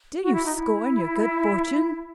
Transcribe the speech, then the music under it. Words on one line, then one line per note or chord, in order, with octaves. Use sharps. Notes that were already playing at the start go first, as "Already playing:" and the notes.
Do you scorn your good fortune?
F#4
E4
D#4
E4